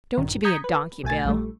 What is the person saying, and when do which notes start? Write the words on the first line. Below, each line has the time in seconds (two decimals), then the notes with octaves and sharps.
Don't you be a donkey, Bill.
0.17 A#1 G2 D#3
0.44 A#5 D#6 G6 G#6 B6 C#7
0.64 B4
1.03 B1 A3 G#5 A6
1.25 A#1 G3 A3